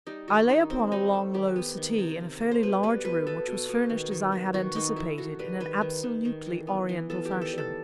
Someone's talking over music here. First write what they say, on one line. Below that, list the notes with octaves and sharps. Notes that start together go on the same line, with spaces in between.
I lay upon a long low settee, in a fairly large room which was furnished as I had anticipated in an absolutely Oriental fashion.
G3 D#4
D#3 F#4
D#3 D#4
F#3 C4
F#3 D#4
A3
D#3 G4
B3
D#3
C3
C3
A3
C5
B2 B4
G3 B4
B2 B4
B3 A4
B2
B2
D#3
D#3
D#3
D#3 F#4
D#3 D#4
A3 E4
D#3 F#4
G3 B4
D#3 B4
D#3
D#3
D#3
E3
B3
E3
B3 A4
G4
D#3
A4
G3 A4